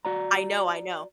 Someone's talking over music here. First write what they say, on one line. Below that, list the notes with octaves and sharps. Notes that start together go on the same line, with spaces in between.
I know, I know.
F#4 D5 A#5